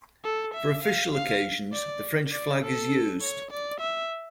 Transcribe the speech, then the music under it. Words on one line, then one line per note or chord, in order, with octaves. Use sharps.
For official occasions, the French flag is used.
A4
E5
F5
F5
D5
D5
A4
C#5
D5
E5